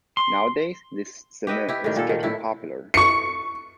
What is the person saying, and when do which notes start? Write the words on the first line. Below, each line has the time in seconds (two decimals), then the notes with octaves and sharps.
Nowadays, this summit is getting popular.
0.17 C6
1.47 G4 B4 D#5 E5
1.69 E4 G4
1.84 A2 D#3 G3
1.96 A#2 A4
2.09 D#3
2.23 A2 E4
2.94 C#6 C#7